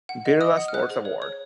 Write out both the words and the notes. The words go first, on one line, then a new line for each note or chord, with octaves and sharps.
Birla sports award.
F#5
D#5
D#5 D#6
F#5
F6
C5 F#6
G#4
C#5
C#5